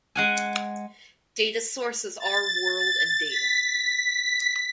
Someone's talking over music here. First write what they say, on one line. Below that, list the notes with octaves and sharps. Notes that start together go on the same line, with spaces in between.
Data source is Our World in Data.
G#3 F#5 G#5
A6
B6